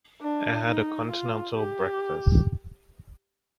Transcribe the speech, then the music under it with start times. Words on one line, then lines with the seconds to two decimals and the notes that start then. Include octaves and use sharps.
I had a continental breakfast.
0.22 D4
0.67 D#4
1.11 F4
1.57 G4